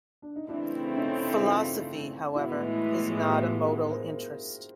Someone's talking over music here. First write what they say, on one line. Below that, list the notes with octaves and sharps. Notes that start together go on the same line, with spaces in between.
Philosophy, however, is not a modal interest.
D4
D#4
C#3 E3 A3 C4 D4 E4
C#4 D#4
D#4 F4
A2 E3 G#3 B3 E4 F#4
F4 G4
F#4 G#4
A#4 C5